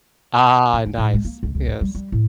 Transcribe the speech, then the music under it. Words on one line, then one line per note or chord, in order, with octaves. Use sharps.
Ah, nice. Yes.
A2
D2
A2
G#3
A#3
C#2
C#2
G#2
G3
G3
A2